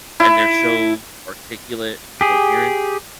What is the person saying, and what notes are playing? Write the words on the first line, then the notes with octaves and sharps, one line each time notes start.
and they're so articulate and coherent
E4
G4 G#4